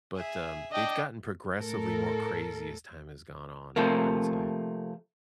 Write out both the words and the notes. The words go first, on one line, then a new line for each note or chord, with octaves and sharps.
But, um, they've gotten progressively more crazy as time has gone on, I would say.
G#4 E5
D4 D5 D#5 G5
A2 A4 A#4
C3 F3 A3 A#3